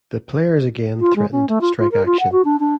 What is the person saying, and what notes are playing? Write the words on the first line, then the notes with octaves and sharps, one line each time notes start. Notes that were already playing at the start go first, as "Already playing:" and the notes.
The players again threatened strike action.
F4
G#3
C#4
A3
F4
F4
A#4
F4
F#5
F#4
D4
D4